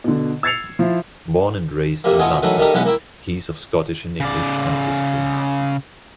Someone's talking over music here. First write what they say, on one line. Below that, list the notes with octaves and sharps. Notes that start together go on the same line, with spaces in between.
Born and raised in London, he is of Scottish and English ancestry.
B2 D3
E6 G#6 A6 C7 C#7 F7
F3 E4
D2 C3 G3 A#3
B2 F#3 A3 F4 D#5 G#5
D#3 E3 F#3 A3 B3
D#3 G3 A3 D#4 G4 A#4
B1 E2 B2 G#3 C#4 B4
A#3 E4 G5
C#3 D5